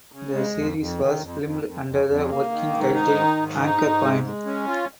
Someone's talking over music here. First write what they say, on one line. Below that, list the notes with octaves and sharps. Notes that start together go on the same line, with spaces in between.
The series was filmed under the working title "Anchor Point".
C#3
G#3
F2
F2
D#3
F2
F2
F2
F2
F2
A#3
D#3
G#2
D#4
D#3
G#2
D#4
G#2
G#3
G#3
C#4
F4